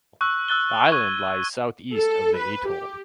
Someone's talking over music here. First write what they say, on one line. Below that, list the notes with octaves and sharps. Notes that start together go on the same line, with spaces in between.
The island lies the south east of the atoll.
C#6 E6 F#6
E6 F#6 A6 G7
C#6 F#6 G#6 D#7
A4
B4
G4